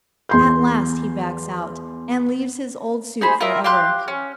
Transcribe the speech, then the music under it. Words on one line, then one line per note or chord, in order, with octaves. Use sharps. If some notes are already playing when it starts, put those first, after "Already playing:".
At last he backs out, and leaves his old suit for ever.
E2 C6 G6
D#4 G#4 C5 B5
F4 A#4 D#5 E5
G4 F5 C6 F#6
C#4